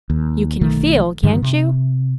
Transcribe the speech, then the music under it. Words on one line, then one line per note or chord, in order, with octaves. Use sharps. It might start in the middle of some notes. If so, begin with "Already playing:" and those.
"You can feel, can't you?"
D#2
B1 D#3 A3
G2 D3 D#3 G3
C3